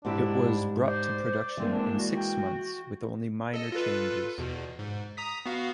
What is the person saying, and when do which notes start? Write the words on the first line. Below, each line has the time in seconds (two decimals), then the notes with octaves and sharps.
It was brought to production in six months with only minor changes.
0.05 G#2 C4 D4 E4 G4
0.86 C5 D5
1.57 E3 G#3 A#3 C4
1.72 D4
1.97 F#4
2.16 G5
3.54 A4 D#5
3.72 F4 A4 B4
4.38 E2 B2
4.79 G#2
5.17 A#5 D#6 B6
5.46 B3 F#4 F5